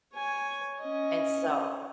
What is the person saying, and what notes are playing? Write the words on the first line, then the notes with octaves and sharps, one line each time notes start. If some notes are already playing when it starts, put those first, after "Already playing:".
And so
C#5 G#5
C#4 D#5